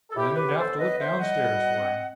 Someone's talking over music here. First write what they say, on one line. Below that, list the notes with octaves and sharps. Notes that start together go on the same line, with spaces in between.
Then he'd have to look downstairs for him.
A4
A2 E4 G4
G4 B4
B3
A4 C5
A2 B4 D#5
C5 E5
G3
D#5 F#5
B2
C4